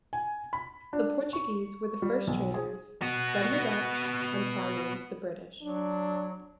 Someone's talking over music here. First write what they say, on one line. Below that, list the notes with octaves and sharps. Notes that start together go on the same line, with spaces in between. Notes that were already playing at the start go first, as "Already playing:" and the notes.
The Portuguese were the first traders, then the Dutch and finally the British.
G#5
B5
D4
C#6
G3
B1
G#4
B3 F#4
F#3 D4